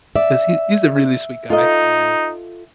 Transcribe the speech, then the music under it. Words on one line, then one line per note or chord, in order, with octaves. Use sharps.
'cause he he's a really sweet guy, and,
D5 E5
D#4 F4 A4 D#5